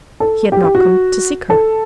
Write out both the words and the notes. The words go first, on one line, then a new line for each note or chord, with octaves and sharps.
He had not come to seek her.
A4
G4
G4
F#4
A4